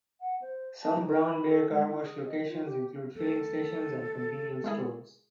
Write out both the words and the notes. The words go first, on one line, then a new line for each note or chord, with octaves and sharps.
Some Brown Bear Car Wash locations include filling stations and convenience stores.
F#5
C5
A5
D#4
B5
A4
G#3
E4
G#4
D#5
F4
G4
F2 D#3 A3 A4
G#3 E4 G#4